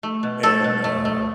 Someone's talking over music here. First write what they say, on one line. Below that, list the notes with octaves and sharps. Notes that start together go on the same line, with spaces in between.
And, uh,
A3
B2
A3 A4
B2
A3
A3